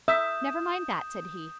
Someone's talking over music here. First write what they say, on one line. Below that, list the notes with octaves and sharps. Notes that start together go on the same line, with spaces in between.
"Never mind that," said he.
E5 D#6 G6 E7